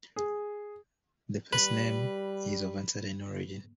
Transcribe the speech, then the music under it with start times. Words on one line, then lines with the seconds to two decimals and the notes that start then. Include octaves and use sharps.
The placename is of uncertain origin.
0.16 G#4
1.53 G3 B4